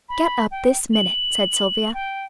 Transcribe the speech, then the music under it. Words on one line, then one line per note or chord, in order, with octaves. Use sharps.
"Get up this minute," said Sylvia.
B5
G5
F#7
G5